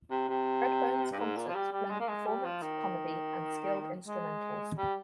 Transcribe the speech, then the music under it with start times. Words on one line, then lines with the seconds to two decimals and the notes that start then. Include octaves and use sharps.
Redbone's concerts blend performance, comedy, and skilled instrumentals.
0.10 C3
0.28 C3
1.11 G2
1.19 G#2
1.36 A#2
1.48 F3
1.55 G3
1.72 G3
1.90 G#3
2.00 A#3
2.08 G#3
2.27 G3
2.44 F3
2.62 D#3
4.06 G#3
4.77 G3